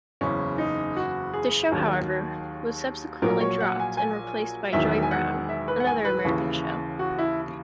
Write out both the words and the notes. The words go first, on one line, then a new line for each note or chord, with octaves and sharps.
The show, however, was subsequently dropped and replaced by Joy Browne, another American show.
F#1 E2 C#3 C#4
D#4
F#4
G#4
D#2 D#3 F#3
A#1 A#2 F#3 A#4
C#5
F#5
G#5
G#5
E1 E2 D#3 F#3 E5
G#5
F#5
E5
B4
F#5
G#5
B4
D#2 C#3 E3
F#4
E4